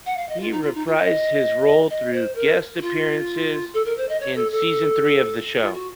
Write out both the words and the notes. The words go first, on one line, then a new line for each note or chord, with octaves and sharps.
He reprised his role through guest appearances in season three of the show.
F#5
F5
D#5
F4
D#4
F4
D#4
F4
D#5
D#5
C5
A#4
F#4
F4
A4
A#4
C5
D#5
C#5
A4
A4
F4
F#4